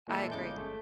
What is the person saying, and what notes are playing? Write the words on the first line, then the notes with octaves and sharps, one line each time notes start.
I agree.
A#2 E3 G#3 E4 A4
G1 C#3 G#3 D6 G6
A3